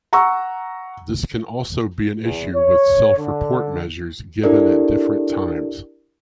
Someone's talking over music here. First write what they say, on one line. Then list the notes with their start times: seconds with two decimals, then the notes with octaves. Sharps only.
This can also be an issue with self-report measures given at different times.
0.13 F#5 A#5 C#6 E6
2.20 E2
2.54 C#5
3.18 D3
4.43 D4 E4 G4 A4 A#4 D5